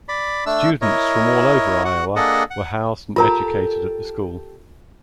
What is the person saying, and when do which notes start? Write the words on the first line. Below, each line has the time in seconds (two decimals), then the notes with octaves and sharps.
Students from all over Iowa were housed and educated at the school.
0.09 D5 B5
0.46 A3 D4 E6
0.82 E4 A#4 C#5 D#5
1.85 F#4 F#5
2.16 A#3 D4 G#4 A4 D#5 F#5
2.51 F#5
3.16 F4 G4 A4 A#4 A#5